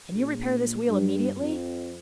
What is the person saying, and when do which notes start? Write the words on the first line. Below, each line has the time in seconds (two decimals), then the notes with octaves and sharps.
"Can you repair this wheel immediately?"
0.11 A#1
0.87 G2
1.38 F2